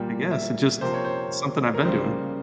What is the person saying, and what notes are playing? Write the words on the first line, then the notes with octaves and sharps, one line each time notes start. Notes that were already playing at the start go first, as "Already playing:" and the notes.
I guess it's just, it's something I've been doing.
Already playing: A#2 G3 A#3 G5
E5
C3 F3 A#3 C5
C#5
C5
A#4
C#3 G3 A#3 C5